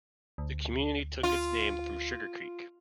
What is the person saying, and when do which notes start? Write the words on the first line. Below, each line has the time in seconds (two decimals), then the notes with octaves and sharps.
The community took its name from Sugar Creek.
0.38 D2
1.23 F4